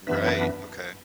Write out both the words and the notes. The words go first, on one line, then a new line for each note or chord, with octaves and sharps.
Right. Okay.
F#2 E3 B3 D4 B4 E5